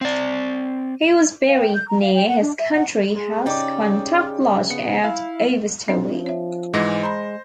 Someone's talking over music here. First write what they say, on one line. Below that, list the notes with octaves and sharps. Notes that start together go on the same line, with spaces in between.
He was buried near his country house Quantock Lodge at Over Stowey.
C4 D5
F5
G5
G6
A#5
F5
G5
F#5
D4
E5
F#5
G#3
C#3 D#4 G4 D5 G5 D6
B3 C#7
E4 F5
F3 C4 D4
C#5 E5
G#2 E3 G#3 A#6
C5 A#5 B5